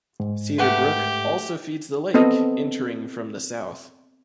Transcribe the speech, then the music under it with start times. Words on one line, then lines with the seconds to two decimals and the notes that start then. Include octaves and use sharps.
Cedar Brook also feeds the lake, entering from the south.
0.20 G#2
0.58 A3 G4 B4 F#5
2.14 B3 C4 A4 D#5